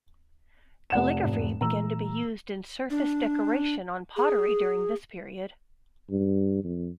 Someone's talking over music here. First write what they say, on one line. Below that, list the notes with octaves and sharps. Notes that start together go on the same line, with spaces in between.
Calligraphy began to be used in surface decoration on pottery during this period.
F1 F#5 E7
E1 G#2
A#2 E3 A3 A#5 E6
D4
G#4
G2
F2